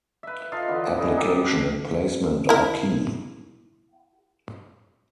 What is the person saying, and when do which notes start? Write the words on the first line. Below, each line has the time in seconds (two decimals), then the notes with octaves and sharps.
Application and placement are key.
0.23 B4 E5
0.52 D#4 F4 A4 F5
0.68 D3 E3 B3
0.97 B3 D#4 E4 G#4
1.16 D#4 G4 A4 E5
2.49 E4 A#4